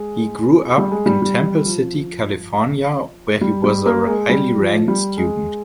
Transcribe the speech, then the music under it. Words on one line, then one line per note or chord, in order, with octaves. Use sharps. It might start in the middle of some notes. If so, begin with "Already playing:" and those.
He grew up in Temple City, California, where he was a highly ranked student.
Already playing: G#3
G3
G#3
G3
G3
F3
G3
G3
A#3
G#3
G3
F3
G3
G#3